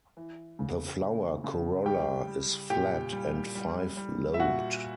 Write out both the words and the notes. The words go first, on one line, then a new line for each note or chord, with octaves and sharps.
The flower corolla is flat and five-lobed.
E3
C#3
C#3
C#3
G3 G4 G5
G3
A#2 G4 G5
G3
G3
G3
E5
A#2 F#4 F#5